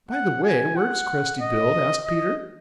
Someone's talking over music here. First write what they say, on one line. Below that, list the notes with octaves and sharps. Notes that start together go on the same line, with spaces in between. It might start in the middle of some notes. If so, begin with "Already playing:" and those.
"By the way, where does Cresty build?" asked Peter.
F#5
G#5
F#5
D#5
D#5